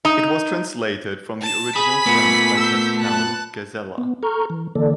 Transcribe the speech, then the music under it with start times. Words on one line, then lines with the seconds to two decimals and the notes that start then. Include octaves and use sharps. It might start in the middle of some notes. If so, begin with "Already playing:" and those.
It was translated from the original French by Pascale Ghazaleh.
0.05 D#4
1.42 A5 E7
1.76 G#4 G#5 B5 B6
2.06 A#2 A3 B3
2.56 E6 G6
2.99 A5 F#6
3.98 B3
4.23 A4 A#5 C#6 F6 G6
4.50 E3
4.75 D3 E3 A#3 A4 D5